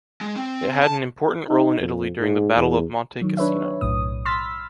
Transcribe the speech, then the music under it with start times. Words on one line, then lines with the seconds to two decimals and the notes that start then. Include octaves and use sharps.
It had an important role in Italy during the Battle of Monte Cassino.
0.21 G#3
0.36 C4
0.83 A5
1.49 D#4
1.79 F2
2.19 G#2
2.56 E2
3.21 D#3 F#3
3.37 D4 B4 C#5 E5
3.81 B1 F#2 A2 D#6
4.25 B5 C6 E6 F6 A6 B6